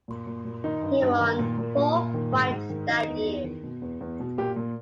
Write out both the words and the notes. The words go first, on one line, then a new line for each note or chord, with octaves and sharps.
He won four fights that year.
A#2
A#2
A#2
D#3 D#4
G2
G2
D#3
A#2
A#2
A#2
A#2
D#3
G#2
G#2
D#3
D#3 D#4
E2
E2
D#3
B2
E2
E2
B2
A#2 G4
A#2